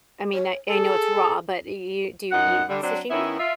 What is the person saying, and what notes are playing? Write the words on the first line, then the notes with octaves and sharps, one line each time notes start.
I mean, I I know it's raw, but you you do you eat sashimi?
C#5
G#4 A4
F#2 D#4 F#5
D3 G3
F#3 C4 D4
D#3 B3 C#4 E4
F4 E5